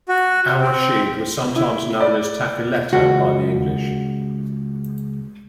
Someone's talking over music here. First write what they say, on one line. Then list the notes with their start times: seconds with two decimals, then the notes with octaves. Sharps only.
Al-Rashid was sometimes known as "Tafiletta" by the English.
0.08 F#4
0.61 C4
1.56 E4
2.00 D5
2.93 C#2 F#4